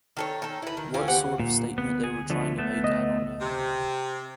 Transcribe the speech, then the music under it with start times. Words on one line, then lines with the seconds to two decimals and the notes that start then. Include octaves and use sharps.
What sort of statement they were trying to make I don't know.
0.17 D#3 A4 C#5
0.42 D#3 A4
0.62 E4 B4
0.77 D#3
0.94 C4 C#4 F4
1.08 B3 G4 C5 F#5
1.40 A#2
1.78 B3
2.04 G#4
2.30 D3 F3 A3
2.58 A3 B3
2.84 D#5
3.40 C3